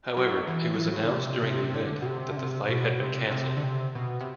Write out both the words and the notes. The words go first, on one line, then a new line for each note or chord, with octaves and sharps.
However, it was announced during the event that the fight had been cancelled.
F#3
E3
F#3
E3
F#3
E3
D3
C3
C3
C3
D3
B2
C3
D3
C3
B2
B2
C3
C3
D3
C3
B2
C3